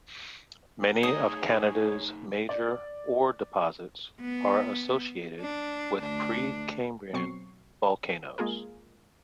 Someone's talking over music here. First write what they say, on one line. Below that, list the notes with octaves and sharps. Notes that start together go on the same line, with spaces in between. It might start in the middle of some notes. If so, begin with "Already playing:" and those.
Many of Canada's major ore deposits are associated with Precambrian volcanoes.
A3 D#4 G#4 C#5 A#5 D#6
D5
B3
D4
D2 D4
B2 F#3 C4 C#6 C7
G#3 A#3 F4 G#4 A#4